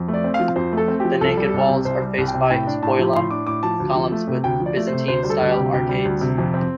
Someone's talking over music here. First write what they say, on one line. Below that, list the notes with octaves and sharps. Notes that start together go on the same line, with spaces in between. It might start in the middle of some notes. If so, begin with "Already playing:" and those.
The naked walls are faced by "spolia" columns with Byzantine style arcades.
Already playing: F2
A3
D5
C4
F5
F3
F2 C5
A3 A4
C4
F3 G4
C2 A4
G3
C2
C3
C2 C5
G3
C2
G5
C3
A2 G5
D4
A2 A5
F3
A2 C6
D4 D6
A2 D6
F3 A5
D2
F3
A3
C3
D2 G5
F3
D5
A3
C5
C3
D2 C5
G3 C5
A4
D2
G4
C3
D2 G4
G3
D2
C3
F2
C4